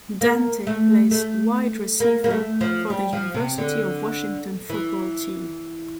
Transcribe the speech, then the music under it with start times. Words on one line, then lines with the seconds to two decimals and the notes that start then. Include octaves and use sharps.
Dante plays wide receiver for the University of Washington football team.
0.21 A#3
0.67 A3
1.11 A3
2.00 A#3
2.24 A#3
2.30 A3
2.61 F3
2.90 G3
3.13 F3
3.34 C3
3.58 D3
4.70 E3